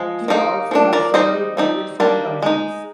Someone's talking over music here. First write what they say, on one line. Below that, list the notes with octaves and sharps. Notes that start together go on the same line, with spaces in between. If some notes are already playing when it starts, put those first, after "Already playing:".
He also had several private home commissions.
Already playing: F3 G#3
D#3 A#3 D#4
F3 A#3 D4
A#4 D5
G3 C4 D#4 C5 D#5
G3 C4 D#4
D#3 G3 A#3 D4
G#3 D#4